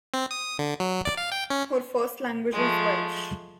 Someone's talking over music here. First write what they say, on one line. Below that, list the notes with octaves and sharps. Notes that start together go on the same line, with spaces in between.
Her first language is Welsh.
C4
D#6
D3
F#3
D5
F5
G5
C#4
F3 G#3 A3